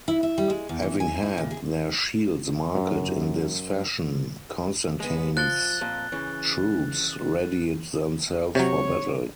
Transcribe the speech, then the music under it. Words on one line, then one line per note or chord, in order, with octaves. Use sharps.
Having had their shields marked in this fashion, Constantine's troops readied themselves for battle.
E4
E5
G3
G#3
E2
E3
G#5
E4
A#2
G#4
F#2
G#3 B3
F3 F#6 A6 G7
F2 A#2 F3
C#3 E3
C3 F#3 C#5